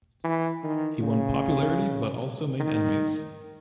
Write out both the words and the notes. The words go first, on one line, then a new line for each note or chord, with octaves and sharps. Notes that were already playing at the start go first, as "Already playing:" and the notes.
He won popularity but also made enemies.
E3
D#3
C#3
D#3